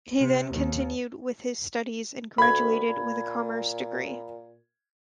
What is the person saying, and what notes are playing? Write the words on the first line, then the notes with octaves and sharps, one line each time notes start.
He then continued with his studies and graduated with a Commerce degree.
C3
D#2
D2 B5 G#6
A#2